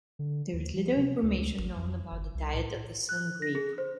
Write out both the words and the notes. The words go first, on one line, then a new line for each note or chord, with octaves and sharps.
There is little information known about the diet of the sungrebe.
D3
D#2
F3
C3
D2
D2
G#1
F2
G1
C2
A2
F#6
A#6
G#4
C5